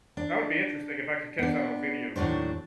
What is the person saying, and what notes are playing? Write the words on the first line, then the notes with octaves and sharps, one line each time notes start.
That would be interesting if I could catch that on video.
D4
B3 D4
D#2 A2 F#3 D4 C5